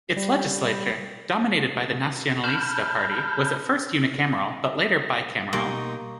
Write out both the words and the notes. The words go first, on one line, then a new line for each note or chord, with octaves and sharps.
Its legislature, dominated by the Nacionalista Party, was at first unicameral, but later bicameral.
G3
A5 B5 F6 G6
B2 G3 A3 A#3 D#4 G4 C6 C#6